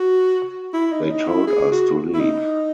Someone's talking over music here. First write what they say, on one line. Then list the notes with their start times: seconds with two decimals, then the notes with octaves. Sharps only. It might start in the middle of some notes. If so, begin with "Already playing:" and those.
They told us to leave.
Already playing: F#4
0.74 E4
0.92 D#4
1.03 C#4
1.11 D#4
1.29 E4
1.47 G#4
1.72 F#4
2.14 E4
2.21 D#4